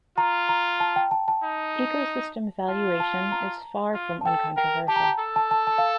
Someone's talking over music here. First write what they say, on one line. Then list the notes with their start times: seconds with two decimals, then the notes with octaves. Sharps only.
Ecosystem valuation is far from uncontroversial.
0.18 F4 A#5
0.49 A#5
0.80 A5
0.96 G5
1.11 A5
1.28 A5
1.43 D#4
2.68 F4 A5
3.00 A5
3.32 A#5
3.94 F4
4.21 A5
4.26 A4 G5
4.57 A#4 G5
4.88 G4 A5
4.96 A#5
5.04 A5
5.19 A4
5.36 A5
5.51 A5
5.67 A5
5.78 F5